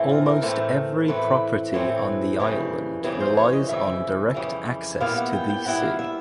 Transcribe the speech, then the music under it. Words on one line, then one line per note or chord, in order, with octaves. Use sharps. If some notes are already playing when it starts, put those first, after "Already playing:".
Almost every property on the Island relies on direct access to the sea.
Already playing: A2 E3 A3 C4
F4
A#4
A2 E3 A3 C4
A2 E3 A3 C4 B4
A2 E3 A3 C4
F2 C#3 E3 G3
F2 C#3 E3 G3
C5
C#5
D#5
F2 C#3 E3 G3 E5
F2 C#3 E3 G3
A#2 G3 B3 E4 F5
F#5
G5
G5
A#2 G3 B3 E4 F#5
F5
E5